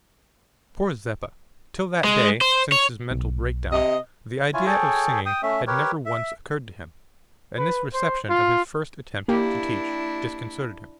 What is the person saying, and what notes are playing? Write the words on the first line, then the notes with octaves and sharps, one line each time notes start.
Poor Zeppa! till that day, since his mental break-down, the idea of singing had never once occurred to him, and this reception of his first attempt to teach disconcerted him.
G#3
C5
C#5
B1
C3 D#5
E4 F4 C#5 G#5
G#4 A4 C#5 G5
G5 D#6
A3 C#4 E5
G4 A#4 B4 C#5
E5
B4
C5
F4
A#3 D4 E4 G4